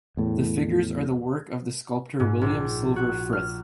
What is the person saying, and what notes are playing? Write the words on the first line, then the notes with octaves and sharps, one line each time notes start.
The figures are the work of the sculptor William Silver Frith.
E2 A2
G#2
A#1
F#4
F6